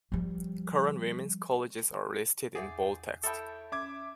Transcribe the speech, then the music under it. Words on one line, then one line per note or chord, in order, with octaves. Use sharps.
Current women's colleges are listed in bold text.
F3 G3
E2 G#4 D5 F#5 G5
E4 A4 C#5 G5 A5 B5 D#6
C#4 E5 D6 G#6